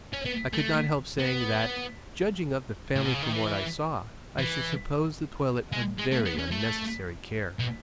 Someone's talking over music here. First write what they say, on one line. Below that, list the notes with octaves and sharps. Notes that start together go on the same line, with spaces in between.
I could not help saying, "that, judging of the family from what I saw, I should suppose the toilette a very unnecessary care."
C#4
B3
A3
B3
A2
B2
C#3
D#3
E3
E3
G#3
G#3
A3
B3
C#4
A3
B2